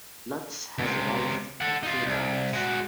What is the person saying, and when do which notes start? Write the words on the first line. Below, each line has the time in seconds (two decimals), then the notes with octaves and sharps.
Lutz has a wife and two daughters.
0.78 C#2 C3
1.61 A4 F#5
1.83 D#4 F4
2.06 C2
2.53 G#3 F#4